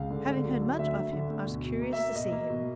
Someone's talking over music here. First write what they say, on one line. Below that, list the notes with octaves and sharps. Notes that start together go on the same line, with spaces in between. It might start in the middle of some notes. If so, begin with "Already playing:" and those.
Having heard much of him, I was curious to see him.
Already playing: C#2 F5
D3
D3
F#3
D3
D2 E5
D2
D3
D2
B2
B2
A#3
E5
A#3
B2 D#5
A#3
B2